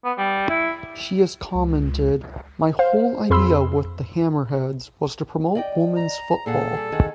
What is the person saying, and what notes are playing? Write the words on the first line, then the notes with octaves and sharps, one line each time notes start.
She has commented, My whole idea with the Hammerheads was to promote women's football.
B3
G3
E4
C#2
C5 F5
F2 G#4 B5 C6 E6
D5 D#5 G5
A#5
A#2 G#4 A4 F#5
G3 G#4
D#3 G#4 F#5